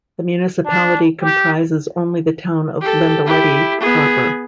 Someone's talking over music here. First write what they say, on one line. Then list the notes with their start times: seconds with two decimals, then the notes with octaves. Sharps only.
The municipality comprises only the town of Lendelede proper.
0.66 D4
1.22 G4
2.81 G4 A4
3.26 E4 G4
3.80 B3 G#4